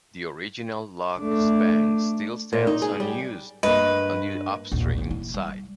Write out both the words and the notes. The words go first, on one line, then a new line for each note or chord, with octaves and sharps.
The original Locke span still stands unused on the upstream side.
A3 D4
A#2
D#4
G#4
G3
G2 A#3 B4 D#5
A#1 D#2
A#1 G2
E4
G3